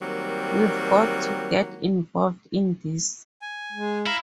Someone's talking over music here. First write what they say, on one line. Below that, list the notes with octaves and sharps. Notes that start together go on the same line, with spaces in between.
We've got to get involved in this.
D#3 F#3 G3 A#3 C4
G#5
G#3
E4 F5 A#5 B5